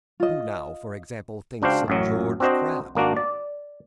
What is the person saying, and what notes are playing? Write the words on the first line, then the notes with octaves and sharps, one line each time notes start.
Who now, for example, thinks of George Crabbe?
F4 D#5
C#2 D4 F#4 C5 F5 G5
A1 F#2 F#3
C4 D4 F#4 C5 D#5
G#1 A#3 D4 F#4
D5